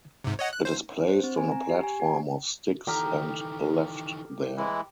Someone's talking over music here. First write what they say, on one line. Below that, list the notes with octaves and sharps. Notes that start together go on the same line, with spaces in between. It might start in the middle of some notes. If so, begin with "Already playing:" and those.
It is placed on a platform of sticks and left there.
G#2 C3
C#5 D#5 F#5
F#6
C5
C5
C4
G#5
A#5
G4
G#5
G4
D#3 E3 G4 A4 A#5 D#6 F6
E3 G#3 E4